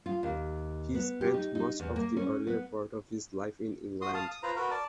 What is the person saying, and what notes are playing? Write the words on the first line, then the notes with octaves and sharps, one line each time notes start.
He spent much of the earlier part of his life in England.
F4
D#2
B3
G4
D#4
D#4
E2
A#3
C#4
B3
F#4 C6 D#6
F5 A5 D#6
D#6
F4 B4 C5 A#5
F#4 A#4 B4
D5 A5 D6